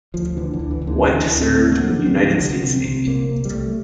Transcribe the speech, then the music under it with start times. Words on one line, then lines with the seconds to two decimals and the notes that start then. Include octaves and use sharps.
White served in the United States Navy.
0.14 D2 F3
0.37 D3 E3
0.53 D3
0.59 D2
0.71 E3
0.82 D2
0.87 D3
1.05 D3 E3
1.27 D2
1.38 C4
1.50 D3
1.67 A3
1.71 D3 A#3
1.90 D4
1.95 D2
2.06 C4
2.17 D3
2.24 F3
2.40 C2
2.63 C3
2.85 C3
3.07 C2 A#3
3.30 C2
3.45 G3
3.52 C2 A3